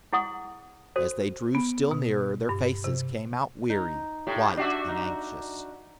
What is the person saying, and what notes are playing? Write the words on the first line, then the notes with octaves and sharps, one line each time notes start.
As they drew still nearer their faces came out weary, white, and anxious.
E4 G#4 F#5 C6 D#6
F#4 A4 C5
B3
B2
G2
C3
D#4
A2 G4
D4 F#4 E5
D#4